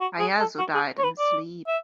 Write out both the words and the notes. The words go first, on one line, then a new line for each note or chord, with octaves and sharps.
Caiazzo died in his sleep.
F#4
G#4
A4
F#4
G#4
C#5
B4
D5
E5